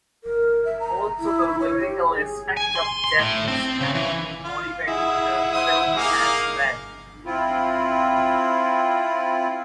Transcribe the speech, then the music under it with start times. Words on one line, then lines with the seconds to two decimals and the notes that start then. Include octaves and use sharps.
Also the lyrical aspect of Japanese Haiku motivated the fim as well.
0.24 A#4
0.65 E5
0.80 A#5
1.19 E4
1.60 C#5
1.80 G4
2.09 G#4
2.57 G#5
2.75 C6
3.04 C6
3.19 A2
3.48 C4
3.81 C#3
3.95 E3
4.44 F4 F5
4.88 E4 G#4 D#5 F#5
5.53 C5 F#5 D#6
5.96 A#3 D#4 G#4 F5 D6
7.26 C4 E4 F4